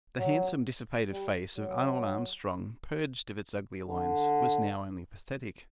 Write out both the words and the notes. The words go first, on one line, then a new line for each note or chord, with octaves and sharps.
The handsome, dissipated face of Arnold Armstrong, purged of its ugly lines, was now only pathetic.
F#3
G3
F#3
D3